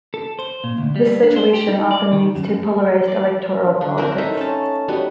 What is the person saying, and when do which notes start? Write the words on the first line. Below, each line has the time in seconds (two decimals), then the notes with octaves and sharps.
This situation often leads to polarized electoral politics.
0.14 A4
0.39 C5
0.64 A#2
0.78 D2
0.96 G3
1.24 D4
1.36 C5
1.53 G4
1.68 D#4
1.91 D5
2.13 D#3
2.35 F#2
3.08 D5
3.81 D3
3.97 C4 E4 A#4 B4
4.18 A3 D#4 E5
4.37 C#4 A5
4.88 F#3 G3 B3 D#4